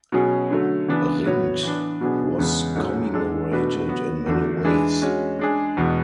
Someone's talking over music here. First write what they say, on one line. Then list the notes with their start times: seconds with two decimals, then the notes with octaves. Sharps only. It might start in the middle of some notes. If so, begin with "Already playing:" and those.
Rindt was commemorated in many ways.
0.12 B2 F#3 C#4 G#4
0.50 D3 F#3 A3
0.88 C#3 E3 B3 D4
1.26 A2 F#3 B3 F#4 C#5
1.63 E3 B3 D4
2.01 B2 F#3 B3 D4 G#4
2.39 E2 C#3 G#3 B3
2.76 G#2 F#3 A3 C#4 G#4
3.14 G#3 D4 A4
3.51 B2 A3 D4 F#4 B4
3.88 F#3 B3 F#4
4.27 E2 D3 A3 D4 F#4
4.65 E3 G#3 D4 G#4
5.02 G#3 C#4 F#4
5.39 G#3 D4 G#4
5.77 E2 B2 G#3 B3